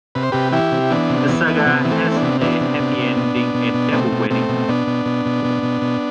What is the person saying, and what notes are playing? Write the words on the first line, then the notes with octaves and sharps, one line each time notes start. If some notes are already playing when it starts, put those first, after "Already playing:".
The saga has a happy ending and double wedding.
C3 B4
C5
C3 G4 B4
E3 E4 G4
C3
E3 B3 D4
C3
E3 B3
E3
A3
C3 B3
E3
A3 C4
E3
C4
B3 D4
C3
E3 B3 D4
C3
C3
C3
B2
B2
B2
B2
B2 A3 C4
B2
B2 A3 C4
B2
B2 B3 D4
B2
B2
B2
B2
B2
B2